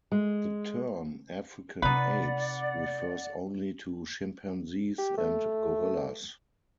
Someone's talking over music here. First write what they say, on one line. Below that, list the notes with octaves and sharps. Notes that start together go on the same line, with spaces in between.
The term "African apes" refers only to chimpanzees and gorillas.
G#3
C3 C4 D#4 B4 D5 F#5
G4
A3